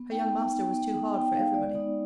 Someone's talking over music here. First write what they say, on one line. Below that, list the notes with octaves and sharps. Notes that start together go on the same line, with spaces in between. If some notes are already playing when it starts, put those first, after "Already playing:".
Her young master was too hard for every body.
Already playing: B3
D#4 G5
B3
D#4
B3
D#4
B3 G5
D#4 F5
G#3 D5
B3 D#4